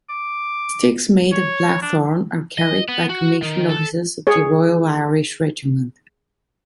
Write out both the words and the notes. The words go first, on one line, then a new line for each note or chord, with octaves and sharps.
Sticks made of Blackthorn are carried by commissioned officers of the Royal Irish Regiment.
D6
C#5
D4
D#5
B3
F#4
D#3
A4
G#4 C#5